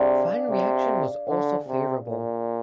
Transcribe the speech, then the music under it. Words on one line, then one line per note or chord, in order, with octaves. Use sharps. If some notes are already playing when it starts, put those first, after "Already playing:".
Fan reaction was also favorable.
Already playing: C3 D4 G#4 D5 F5
C3
D3
C3
A#2